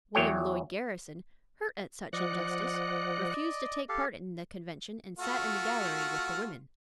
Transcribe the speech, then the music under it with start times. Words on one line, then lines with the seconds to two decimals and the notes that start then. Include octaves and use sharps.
William Lloyd Garrison, hurt at such injustice, refused to take part in the Convention, and sat in the gallery with the women.
0.15 E2 F#3 C#5 G5
2.13 F3 D5 D#5 F#5 F#6
3.89 G4 A4 F5
5.19 A3 F4 F#4